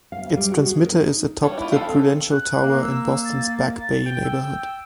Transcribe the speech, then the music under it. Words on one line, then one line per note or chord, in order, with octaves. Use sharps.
Its transmitter is atop the Prudential Tower in Boston's Back Bay neighborhood.
F5
D2
G3
F#4
G#4
A#4
D#4
G3 D4 C#5
E4 F4
C4 A4 F5
F#6
A#3
E6
A6
G5
E6